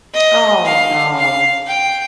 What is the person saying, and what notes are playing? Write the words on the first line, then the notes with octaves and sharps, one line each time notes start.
Oh, no.
D#5
F5
F5
G5